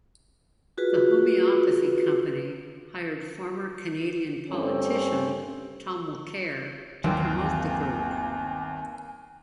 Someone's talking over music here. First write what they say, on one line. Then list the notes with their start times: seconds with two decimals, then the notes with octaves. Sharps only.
The homeopathy company hired former Canadian politician Tom Mulcair to promote the group.
0.77 F4 F#4 G#4 B4
4.50 G2 A3 C4 C#4
7.04 G1 D#2 D#3 E3 F#3 A#3 C4 G#5